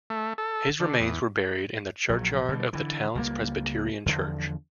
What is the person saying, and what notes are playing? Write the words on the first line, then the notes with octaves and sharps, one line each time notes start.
His remains were buried in the churchyard of the town's Presbyterian church.
A3
A4
D3
E2
A#1 F#3
B2 D3 G3
D3 E3
C#2 G3 A#3
E2 D3 F3